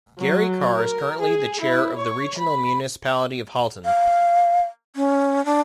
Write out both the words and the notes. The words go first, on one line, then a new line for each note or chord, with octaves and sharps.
Gary Carr is currently the Chair of the Regional Municipality of Halton.
F#3
A#4
G#4
E4
C#5
B5
F5
C#4
D4